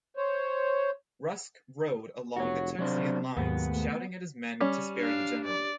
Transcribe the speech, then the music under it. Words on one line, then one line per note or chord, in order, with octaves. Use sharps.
Rusk rode along the Texian lines, shouting at his men to spare the general.
C5 C#5
F1 F#4 C#5
C3 F#3 D4 C5
D#2 G#2 F#3 B3
A3
G3 C#4
D4 F5
D5